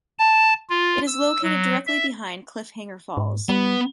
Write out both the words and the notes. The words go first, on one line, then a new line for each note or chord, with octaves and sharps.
It is located directly behind Cliffhanger Falls.
A5
F4
E6
F#3
E5
G#2
G3 B3